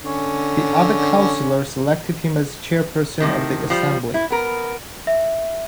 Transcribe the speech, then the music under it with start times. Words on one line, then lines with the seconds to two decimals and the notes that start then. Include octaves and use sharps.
The other councillors elected him as chairperson of the assembly.
0.03 D3 C#4
3.20 A2 C3 D#3
3.70 F3 G3
4.14 E4
4.30 B3 A#4
5.07 E5